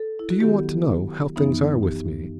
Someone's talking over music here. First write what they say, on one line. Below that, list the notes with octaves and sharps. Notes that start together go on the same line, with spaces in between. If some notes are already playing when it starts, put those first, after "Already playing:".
"Do you want to know--how things are with me?"
Already playing: A4
E4
F#4
D#3 F#3 B3 G4
F#2 E3 B3 D#4
G4